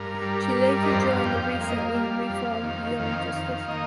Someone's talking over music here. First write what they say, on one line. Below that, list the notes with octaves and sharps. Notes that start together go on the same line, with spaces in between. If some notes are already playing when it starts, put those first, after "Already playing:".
She later joined the recently reformed Young Justice.
Already playing: G2 A#4
G3
G2
D#5
F2 C5
F5
F2 G5
F5
A#3 F5
D#5
F5
G3
F2
D#3
F2 F5
D#3
A#3 D#5